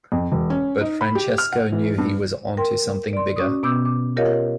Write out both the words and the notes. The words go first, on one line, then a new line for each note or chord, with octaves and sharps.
But Francesco knew he was onto something bigger.
F2
E1
C#4
D#4
B5
G4
F6
F#5
E3
G2
A#4 G5 C6
D5 C6
C#4 F#4 D6 D#6
B2 B3 D6 E6 G6
D6
F4 G4 A#4 C#5 D#5 F5